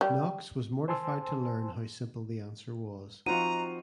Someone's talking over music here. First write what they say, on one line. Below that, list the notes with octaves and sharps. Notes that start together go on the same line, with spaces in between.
Knox was mortified to learn how simple the answer was.
G3
C5 G#5 A5 C6 E6
F3 C4 D#4 F4 F#4 F#5 A#5 D#7